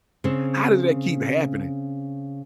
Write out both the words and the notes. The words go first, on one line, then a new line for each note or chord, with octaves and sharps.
how does that keep happening?
C#3 C4